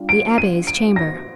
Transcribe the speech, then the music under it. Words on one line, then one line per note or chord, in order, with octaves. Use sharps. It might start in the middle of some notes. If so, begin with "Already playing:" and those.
The Abbe's Chamber.
Already playing: G3 D4 F4
D7
D#7
D7
A#6